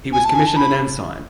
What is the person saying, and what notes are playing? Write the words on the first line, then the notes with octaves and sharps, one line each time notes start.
He was commissioned an ensign.
G#5
A5
G#5
A5
B5